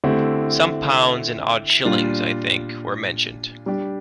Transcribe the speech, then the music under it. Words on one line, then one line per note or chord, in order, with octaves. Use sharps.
Some pounds, and odd shillings, I think, were mentioned.
D3 A3 C4 E4 G4
A#2 G3 D4 F4
G3 D4 G4